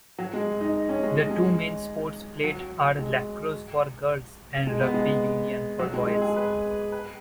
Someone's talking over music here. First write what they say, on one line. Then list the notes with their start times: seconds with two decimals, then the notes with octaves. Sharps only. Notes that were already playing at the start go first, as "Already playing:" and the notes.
The two main sports played are lacrosse for girls and rugby union for boys.
0.18 F#3
0.33 G#3
0.61 D#4
0.89 C#4
1.03 G#3
1.18 G#3
1.30 G#3
2.44 F#3
2.99 G#3
4.67 G#3
4.81 B3
4.94 G#3
5.79 F#3
5.94 G#3
6.07 G#3
6.22 G#4
6.36 B4
6.92 B4